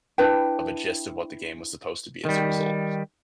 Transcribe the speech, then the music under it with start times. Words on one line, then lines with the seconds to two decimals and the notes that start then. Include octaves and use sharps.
of a gist of what the game was supposed to be as a result.
0.18 D4 E4 B4 G5
2.25 D#3 G3